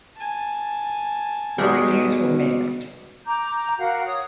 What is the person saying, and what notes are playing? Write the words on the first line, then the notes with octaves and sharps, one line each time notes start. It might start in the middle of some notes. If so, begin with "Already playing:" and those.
The reviews were mixed.
G#5 A5
B1 E2 B2 D#3 G3 G#3
A#5 D6 G6
F#4 A#4 F5 F#5
C#5 D#6